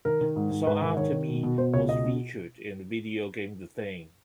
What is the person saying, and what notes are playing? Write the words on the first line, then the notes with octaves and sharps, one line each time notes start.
The song "After Me" was featured in the video game "The Thing".
D#3 A#4
D#3
G#2
G#2
G#2 B4
D#3
D#3 C#5
D#3
B2
B2
B2 C5
C#2 C#5
B2 D#5
B2